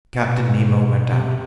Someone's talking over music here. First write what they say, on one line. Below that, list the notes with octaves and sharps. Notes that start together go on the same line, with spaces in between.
Captain Nemo went out.
B2
B2
C3